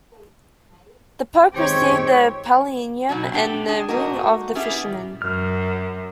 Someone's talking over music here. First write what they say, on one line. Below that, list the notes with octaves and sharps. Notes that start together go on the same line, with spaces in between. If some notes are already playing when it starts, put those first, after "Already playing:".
The Pope received the pallium and the Ring of the Fisherman.
D#3 G#3 C4 G4 C#5
B2 F#3 C#4 F#4
D4 G4 G5
D4 G#4
A3 A#3 D#4 F#4 A#4
B3 C#4 E4 G4 G#4
F#2 F6